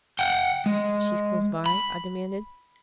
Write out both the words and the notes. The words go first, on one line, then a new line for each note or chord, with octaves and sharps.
"She's close by?" I demanded.
F#5 G5
G#3
B5